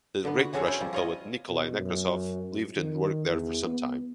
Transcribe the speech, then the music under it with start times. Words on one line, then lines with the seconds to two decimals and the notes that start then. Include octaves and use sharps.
The great Russian poet Nikolay Nekrasov lived and worked there for some time.
0.25 D3 B3
0.39 F#4
0.53 E3 C#4 F#4 G#4 A4 C#5
0.66 C#4 E4 C5
0.80 F3 G3
0.93 F4 C#5 D#5
1.49 B2
1.80 F#2
2.76 D#3
3.30 E2
3.66 B3